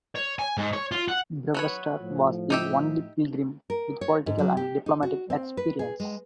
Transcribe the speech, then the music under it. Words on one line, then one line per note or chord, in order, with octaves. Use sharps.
Brewster was the only Pilgrim with political and diplomatic experience.
C#5
G#5
G#2
C#5
F4
F#5
F#3 B4 C#5
A2 F3
D#4 G4 E5
A#4
C#5
G#2
F#3
G4
D#4
F#4
C4
B4
G#4
G#3